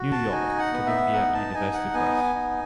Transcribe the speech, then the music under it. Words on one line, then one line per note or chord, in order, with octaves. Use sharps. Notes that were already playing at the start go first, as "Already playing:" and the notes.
New York: Columbia University Press.
Already playing: F#4
A5
D#4 G#5
F#5
B3
E5
D#4 F#5
A5
D#4 G#5
F#5
B3 G#5
D#4